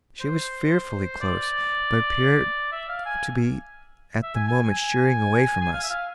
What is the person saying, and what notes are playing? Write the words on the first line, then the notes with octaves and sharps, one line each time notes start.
She was fearfully close, but appeared to be at the moment sheering away from us.
C5
D5
E5
F5
G#5
E5
G#5
G#5
G#5
G#5
F5
E5
F5